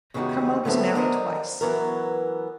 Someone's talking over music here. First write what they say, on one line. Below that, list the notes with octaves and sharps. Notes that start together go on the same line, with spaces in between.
Kermode was married twice.
E2 C#3 G#3 D#4 F#4 G4
D3 F3 F#3 A3 B3 C4
B3 D4 A#4 C5 D#5 A#5
E3 F#3 B3 C#4 A#4